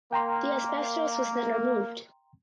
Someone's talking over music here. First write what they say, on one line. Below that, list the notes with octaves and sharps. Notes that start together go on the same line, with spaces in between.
The asbestos was then removed.
A#3 G5 A#5 C6